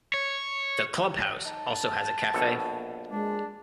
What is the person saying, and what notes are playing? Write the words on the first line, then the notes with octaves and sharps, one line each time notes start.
The Clubhouse also has a cafe.
C#5
D#4 A5
A#1 B2 A4
G#3 D4